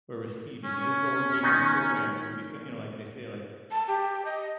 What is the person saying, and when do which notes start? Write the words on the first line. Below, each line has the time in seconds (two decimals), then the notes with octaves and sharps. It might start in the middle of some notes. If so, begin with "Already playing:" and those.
"We're receiving." Yeah, this is where we're being, like, programmed till we beco you know, like, they say, like,
0.64 C#4
1.43 D#3 B3 D#4
3.71 A5
3.88 G4
4.25 D#5